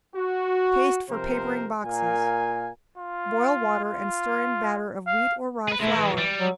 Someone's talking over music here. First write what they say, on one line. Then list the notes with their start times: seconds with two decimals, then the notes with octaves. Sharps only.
Paste for Papering Boxes.--Boil water and stir in batter of wheat or rye flour.
0.16 F#4
1.10 C3 F3 A#4 C5
1.84 A#2 A#4 F5 G#5
2.98 F4
3.84 F4
5.07 F5
5.69 G#4 B4
5.80 G#3 A3 E4
5.96 E3
6.18 G3
6.40 F#3